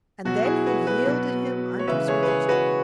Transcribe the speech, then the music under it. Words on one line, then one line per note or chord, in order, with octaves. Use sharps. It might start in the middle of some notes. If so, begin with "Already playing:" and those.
And then he yielded him unto Sir Tristram.
B2 F#3 F#4
E4 G#4
F#4 B4
F#4 B4
B2 F#3
C#5
C#3 E3 G#3 B4 E5
G#4 C#5
B4
G#4 C#5
F#4 B4